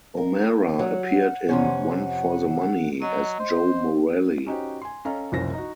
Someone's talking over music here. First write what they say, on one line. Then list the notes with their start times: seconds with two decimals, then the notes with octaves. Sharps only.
O'Mara appeared in "One for the Money" as Joe Morelli.
0.17 A#4
0.79 F#3 F#5
1.49 F2 C3 C#4
3.02 F#3 D#5
3.39 C5
4.46 C#4 D#4 F#4 G4 C5
4.82 G#5 C6
5.05 C#4 A4 D#5 F5 A#5
5.32 F#1 C2 F3 C#4 C5 A#6
5.54 D#4 F#4